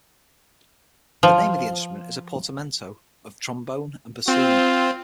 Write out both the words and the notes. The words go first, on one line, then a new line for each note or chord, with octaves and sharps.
The name of the instrument is a portmanteau of "trombone" and "bassoon".
F3
C4 F4